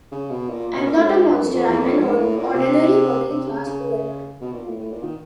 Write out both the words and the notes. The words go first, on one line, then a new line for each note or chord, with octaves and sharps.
I am not a monster I am an ordinary working-class poor man.
C#3
B2
A#2
B2
A#2
A2
G#2
G2
F2
F2
E2
F2
G#2
A2
A#2
C3
C3
C#3
C#3
B2
A#2
A2
A2
A#2
D#3